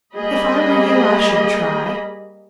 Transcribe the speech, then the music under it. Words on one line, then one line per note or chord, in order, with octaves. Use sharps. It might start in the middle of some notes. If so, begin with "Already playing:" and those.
If I were you, I should try.
G3 A#3 G#4 D#5 B5